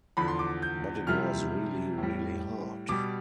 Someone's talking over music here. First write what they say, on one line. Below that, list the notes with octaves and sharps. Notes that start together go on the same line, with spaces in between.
But it was really, really hard.
E2 D3 F3 B5
C6
D6
G6
F2 C3 E3 G3 F6
A2
G3
B2 G3 D6